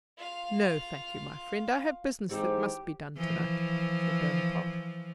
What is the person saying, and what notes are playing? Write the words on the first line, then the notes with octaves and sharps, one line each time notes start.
"No, thank you, my friend; I have business that must be done tonight," said Bonaparte.
F4 F5
G#2 E3 C4 D#4 G4
E3 F3